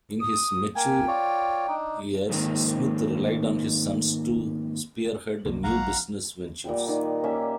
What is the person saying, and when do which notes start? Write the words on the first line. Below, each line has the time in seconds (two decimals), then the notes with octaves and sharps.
In his mature years, Smith relied on his sons to spearhead new business ventures.
0.20 D#6
0.75 A#3 G5 G#5
1.07 F4 C#5 D5
1.68 D4 D#4
2.29 F2 G#2 D#3 A#3 C4
5.45 C2 F3 A#3
5.64 A#1 F3 F#3 F5 F#5 A#5
6.64 A#2 G3 F#5 G5
6.88 D#3
7.24 A#3 C#4 G4 E5